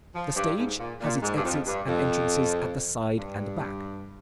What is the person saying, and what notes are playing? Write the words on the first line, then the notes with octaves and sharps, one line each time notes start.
The stage has its exits and entrances at the side and back.
F3
G2
G#2
A#2
A#2
G#2
G2
F2
G2
F2
G2